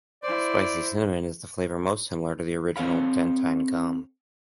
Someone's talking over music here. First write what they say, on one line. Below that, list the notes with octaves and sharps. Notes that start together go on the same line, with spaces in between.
Spicy Cinnamon is the flavor most similar to the original Dentyne Gum.
E4 C5 D5
C4 A4 C#5 F5 B5